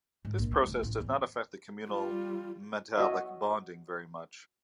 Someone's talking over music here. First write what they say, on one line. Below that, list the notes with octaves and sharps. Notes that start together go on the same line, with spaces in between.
This process does not affect the communal metallic bonding very much.
G#2
A#1
G#3
F1
A1
E2
G3 F4
F#4 D#5 E5